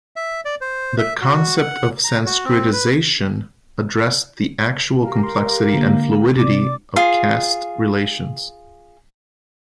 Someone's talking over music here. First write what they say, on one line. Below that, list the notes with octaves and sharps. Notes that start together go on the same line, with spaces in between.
The concept of sanskritisation addressed the actual complexity and fluidity of caste relations.
E5
D5
C5
E5
F#4
F#5
A#5
F#4
C4
B4
G4 A#4 F5
C6
D3 A#3
C3 D5 D6
F4 G#4